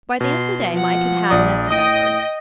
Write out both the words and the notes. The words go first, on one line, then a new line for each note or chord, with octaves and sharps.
By the end of the day Mike had had enough of Edward.
B2 C6
F3 F#5
A#1 D5 D#6
A2 D#5 G5 D#6